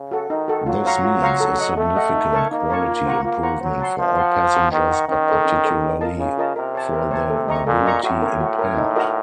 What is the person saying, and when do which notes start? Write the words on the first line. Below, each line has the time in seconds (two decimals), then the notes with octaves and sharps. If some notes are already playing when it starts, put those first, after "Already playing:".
This means a significant quality improvement for all passengers but particularly for the mobility-impaired.
Already playing: C#3
0.11 F#4 A4
0.30 D#3 D#4
0.48 F#4 A4
0.66 F#3 F4
0.85 C5 F5 A#5 C#6
1.03 F4
1.22 C5 F5 A#5 C#6
1.40 A4
1.59 D#5 F#5
1.77 A3 A4
1.96 D#5 F#5
2.14 D#4
2.33 A#4 C#5 A5 C#6
2.51 A#3 D#4
2.69 A#4 C#5 A5 C#6
2.88 F4
3.06 C5 F#5 A#5 C#6
3.25 A#3 F4
3.43 C5 F#5 A#5 C#6
3.61 F#3 C5
3.80 F#5 A5 C6
3.98 F3 C5
4.17 F#5 A5 C6
4.35 C5
4.54 F#5 A#5 C#6
4.72 D#3 C5
4.90 F#5 A#5 C#6
5.09 D#3 C#4
5.28 A4 C5 D#5
5.45 C#4
5.64 A4 C5 D#5
5.83 C#4
6.01 F4 A#4 D#5 A5
6.19 C#3 C#4
6.38 F4 A#4 D#5 A5
6.56 C3 A#4
6.75 C#5 A5
6.93 A#4
7.11 C#5 A5
7.30 A4
7.48 D#5 A#5 C#6
7.67 A#2 A4
7.85 D#5 A#5 C#6
8.03 A2 F#4
8.22 A#4 C#5
8.40 F#4
8.59 A#4 C#5
8.77 D#4
8.96 F#4 A#4 D#5